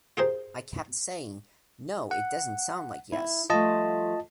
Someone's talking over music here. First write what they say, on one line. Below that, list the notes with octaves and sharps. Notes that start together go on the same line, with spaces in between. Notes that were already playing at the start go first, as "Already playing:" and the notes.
I kept saying, 'No, it doesn't sound like Yes.
F4 G4 G#4 A#4 C5
F#5
E4
F3 G3 A3 F4 D#5 A5